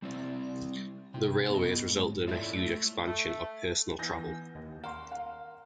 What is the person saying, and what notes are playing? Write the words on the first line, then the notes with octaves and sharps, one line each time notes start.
The railways resulted in a huge expansion of personal travel.
G3 C4 E4 D5
C3 G5
B3 G#4 D#5
G#2
E4 F4 A4 C#5 D5 E5
A3
A3
E3 B3 G#5 G6 A#6
D#2
A#4 F#5 C6
F5 F#5